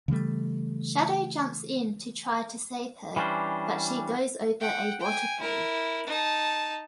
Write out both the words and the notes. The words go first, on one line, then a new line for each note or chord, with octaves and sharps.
Shadow jumps in to try to save her, but she goes over a waterfall.
C#3 E3 G3 A3
E3 G3 C#4 D4 C5
F#5 G5
G5 G#5
E4 A#4
D#4 A5